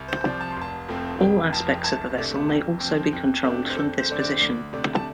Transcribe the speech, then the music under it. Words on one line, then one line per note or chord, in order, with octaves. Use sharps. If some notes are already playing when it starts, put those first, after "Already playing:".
All aspects of the vessel may also be controlled from this position.
Already playing: C2
C5
C3 F3 D5
A5
C6
F1 A5
F2 F3 A3 C4
F1 G5
F2 F3 A5
C2 A5
C3 A3 D4
F2
F3 C4
F2
C3 A3 D4
C5
F2 A4
C5
D3 A3 D4
D5
D2 D5
C3 A3 D4
A5